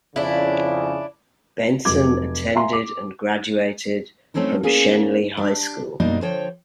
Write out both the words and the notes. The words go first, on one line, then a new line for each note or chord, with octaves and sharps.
Benson attended and graduated from Schenley High School.
F2 C#3 D4 E4
F1 F#3 D6 G#6
E5 F5 G#5 A#5 C6
D6
F#3 A3 C4 C#4 D#4 E4
A#3 B3 C#4 E4 G#4 A#4
D4 G4
F#2 B2 G3 A#3 D4 D#4
D3 F3 C5 C#5 G5